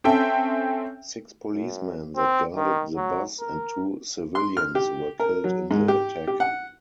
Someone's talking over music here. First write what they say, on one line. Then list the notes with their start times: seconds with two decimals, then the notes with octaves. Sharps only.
Six policemen that guarded the bus and two civilians were killed in the attack.
0.04 C4 C#4 A4 E5 G5
1.51 F#2
2.16 C4
2.56 D#3
2.96 F#3
3.40 A#4
4.35 C6
4.57 F6
4.75 G4
5.20 A#4
5.44 F#3
5.71 G#2
5.88 G4
6.27 G4
6.40 F#5